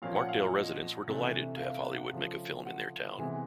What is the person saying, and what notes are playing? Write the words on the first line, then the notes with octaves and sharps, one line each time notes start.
Markdale residents were delighted to have Hollywood make a film in their town.
A#2 F3 A#3 C#4 F5
F#5
F5
F5
D#5
C3 E3 A3 D4 E5
F5
E5
F#5
C#3 F3 A3
F#5
C3 E3 G#3 B3